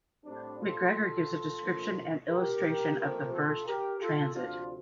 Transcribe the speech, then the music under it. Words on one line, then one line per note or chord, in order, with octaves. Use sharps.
Macgregor gives a description and illustration of the first "Transit".
A2 G3 C4 D4
F4 A4
F2 D3 F3 A#3
G4 A#4
A#2 F3 A3 C4 G4 A#4
F4 A4
G4 A#4
F4 A4
D2 C3 F3 D4 F4